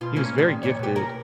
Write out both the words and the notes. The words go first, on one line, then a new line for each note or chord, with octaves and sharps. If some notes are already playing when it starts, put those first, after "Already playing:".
he was very gifted,
B2 F4
A3 A#3 C#4
A2 D#3 G3
F2 A#2 C#5
B2 G4
A#4